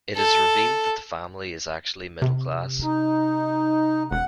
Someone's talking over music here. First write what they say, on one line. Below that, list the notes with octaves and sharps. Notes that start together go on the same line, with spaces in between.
It is revealed that the family is actually middle class.
A4
C3
D#4
E1 F#5